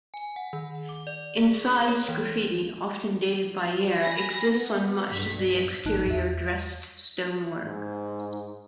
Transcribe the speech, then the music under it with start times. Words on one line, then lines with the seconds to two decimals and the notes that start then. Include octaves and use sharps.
Incised graffiti, often dated by year, exists on much of the exterior dressed stonework.
0.14 G#5
0.36 F#5
0.53 D#3
0.89 D6
1.07 D5
1.37 G#4
1.88 C#5
2.09 E3
3.99 G#5 B5 A#6
4.47 B3
5.09 B1 G2 B6
5.85 A1 G#2 F3 D#4 A5 F#6
6.07 E2 E5
7.65 G#2